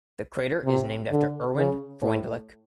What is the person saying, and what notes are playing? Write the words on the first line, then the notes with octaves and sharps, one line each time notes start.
The crater is named after Erwin Freundlich.
C3
D3
C#3
A2